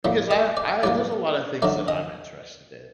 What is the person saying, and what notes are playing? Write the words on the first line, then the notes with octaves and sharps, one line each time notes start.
because I I there's a lotta things that I'm interested in,
A2 G3 A#3
D#5
D5
A2 G3 A#3 D5
D3 F#3 A3 D5
D#5